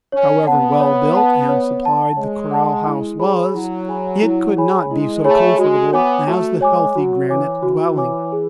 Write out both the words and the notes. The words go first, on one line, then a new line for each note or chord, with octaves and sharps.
However well built and supplied the corral house was, it could not be so comfortable as the healthy granite dwelling.
C#4 C#5
B3 F#5 A5
C#5
F#5 A5
C#5
F#5 A5
G#3 C#5
F#5 A5
E4
G#4 C#5 G#5 B5
F#3 E4
G#4 C#5 G#5 B5
E4
G#4 C#5 G#5 B5
G#3 E4
A3 G#4 C#5 G#5 B5
G#3 F#4
B3 C#5 G#5 D6
A3 F#4
G#3 C#5 G#5 D6
F#3 F#4
E3 C#5 G#5 D6
F#4
C#5 G#5 D6
G#4